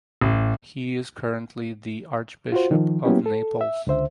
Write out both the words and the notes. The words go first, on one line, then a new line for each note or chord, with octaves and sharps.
He is currently the Archbishop of Naples.
A1
F4 F#4 C5
D#3 F3
F#3 A#3 B3 C#4 E4 G4
A4
E5
C#2 D3 C5 E5